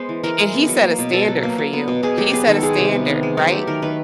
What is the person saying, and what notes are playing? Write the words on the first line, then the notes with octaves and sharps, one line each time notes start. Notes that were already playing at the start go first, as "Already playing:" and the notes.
And he set a standard for you. He set a standard, right?
Already playing: G#3 B3 C5
E3
E3 A#4
G#3
B3
F#3
A#3
B2
B2 A4
F#3
A#3
F#3
B3
B2
B2 G#4
F#3 G4
B3 G#4
D#3 A4
G#3 G#4
C3 G4
B3
D#3
G#3
F#3 F#4
A3 G4
D#3 A#4
D#3 B4